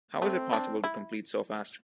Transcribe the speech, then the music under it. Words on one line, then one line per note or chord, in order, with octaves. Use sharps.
How is it possible to complete so fast?
A3 C4
D4
E4